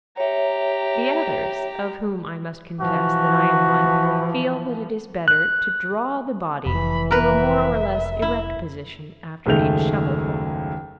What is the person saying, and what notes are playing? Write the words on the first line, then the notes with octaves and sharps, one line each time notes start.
The others, of whom I must confess that I am one, feel that it is better to draw the body to a more or less erect position after each shovelful.
G4 C#5 E5 A#5
E3 F3 F#4
F#6
F1 E3 B5
A#4 B4 E5
E4
F#1 D#2 G#3 A3 G6 F7